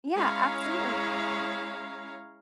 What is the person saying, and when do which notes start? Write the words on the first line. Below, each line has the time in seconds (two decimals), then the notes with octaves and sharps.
Yeah, absolutely.
0.15 G#3 C#4 E4 C#5 F5 A#5